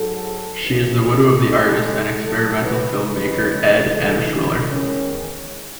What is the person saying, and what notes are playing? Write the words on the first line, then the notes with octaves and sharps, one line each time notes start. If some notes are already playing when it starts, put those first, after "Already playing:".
She is the widow of the artist and experimental filmmaker Ed Emshwiller.
Already playing: G#2 F#3 A4
D#2 C#3 E3
A4
A2 G#3 A4
G#2 F#3 A4
B4
D#2 C#3 E3 G#3 B4
A2 E3 G#3 A4
D#4
E2 D#3 G#3 C#4
C#4